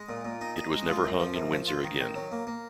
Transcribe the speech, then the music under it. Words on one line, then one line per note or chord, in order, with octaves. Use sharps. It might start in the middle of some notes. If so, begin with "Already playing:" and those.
It was never hung in Windsor again.
Already playing: G#3
A#2
A#2
D#4
D#4
G#3
F4
F#2
F3
F#2
F3
F4
D#3
D#3
F#3
A#3
A#3